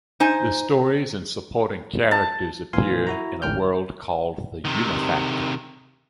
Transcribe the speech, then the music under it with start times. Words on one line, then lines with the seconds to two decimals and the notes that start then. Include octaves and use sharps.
The stories and supporting characters appear in a world called the Unifactor.
0.20 D#4 C5 G#5
2.11 A5
2.73 A#2 E3 F5 G#5 C6
3.07 E4 F#4 A#5
3.42 A1 D2 G#2 G5 F6 G6
4.65 C3 D#3